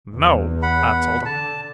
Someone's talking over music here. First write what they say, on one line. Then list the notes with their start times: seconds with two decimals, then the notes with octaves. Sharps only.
No,' I told him.
0.14 E2
0.63 F#5 B5
1.25 D3 A5